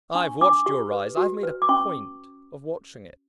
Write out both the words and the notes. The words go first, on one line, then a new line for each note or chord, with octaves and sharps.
I've watched your rise--I've made a point of watching it.
D4 C#6
D4 D6
G4 C#6
B4
F#4
B4
D6
C#4 C#6